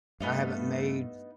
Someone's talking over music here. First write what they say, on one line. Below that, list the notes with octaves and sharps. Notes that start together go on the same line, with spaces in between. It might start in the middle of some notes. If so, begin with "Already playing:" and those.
I haven't made
G2 A3 B3 D#4 F5